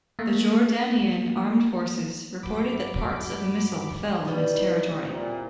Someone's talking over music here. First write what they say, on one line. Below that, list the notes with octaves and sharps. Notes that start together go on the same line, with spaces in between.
The Jordanian armed forces reported that parts of a missile fell in its territory.
A3 A#3
G2 F#3 B5 D6
B2 G3 C4 D#4 E4 B4
A#2 C4 E4